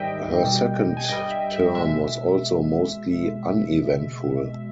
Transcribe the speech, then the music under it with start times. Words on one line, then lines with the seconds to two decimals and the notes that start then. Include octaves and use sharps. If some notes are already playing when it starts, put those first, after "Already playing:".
Her second term was also mostly uneventful.
Already playing: G#2 D#3 G3 D#5 E5 G5
0.43 B2 G3
0.97 G#5
1.09 G2 G3 D#5 G5
1.31 E5
1.53 E5
1.75 B2 G#3 E5